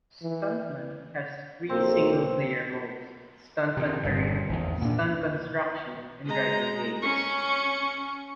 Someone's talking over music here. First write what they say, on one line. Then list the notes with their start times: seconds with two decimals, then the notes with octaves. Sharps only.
"Stuntman" has three single-player modes: Stuntman Career, Stunt Construction and Driving Games.
0.22 E3
1.69 B1 A#3 C4
3.77 C3 D#3
4.03 G1 G2 A#2
4.49 G#1 E2
4.82 A#2 D4
6.26 G#3 A#5
7.02 C#4 C#6